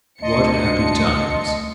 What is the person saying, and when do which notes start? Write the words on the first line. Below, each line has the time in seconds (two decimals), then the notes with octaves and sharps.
What happy times!
0.22 D2 D#5 A5 C6 C#7